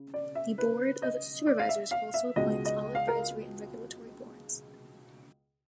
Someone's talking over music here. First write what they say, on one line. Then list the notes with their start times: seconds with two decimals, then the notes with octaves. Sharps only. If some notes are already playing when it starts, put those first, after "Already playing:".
The Board of Supervisors also appoints all advisory and regulatory boards.
Already playing: C#3
0.14 D5
0.35 E5
0.58 B4
1.02 D#5
1.47 D5
1.59 F5
1.69 E5
1.91 F5
2.14 E5
2.36 C#2 B2 G#3 D#5
2.65 D#5
2.95 F5
3.08 A#4